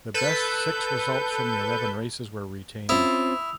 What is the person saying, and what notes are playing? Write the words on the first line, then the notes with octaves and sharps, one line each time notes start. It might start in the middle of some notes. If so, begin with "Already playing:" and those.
The best six results from the eleven races were retained.
A4 B4 G6
C4 C#4 E4 F4 D#6 E6 F7